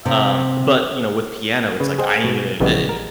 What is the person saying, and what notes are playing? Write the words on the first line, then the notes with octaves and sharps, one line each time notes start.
Um, but, you know, with piano, it's like I ee uh, eh,
C3
C#3 B4
G#4 C5 D#5 F#5 G5
B2
A#1 C#3 E3 G3 B3 D#5
A#4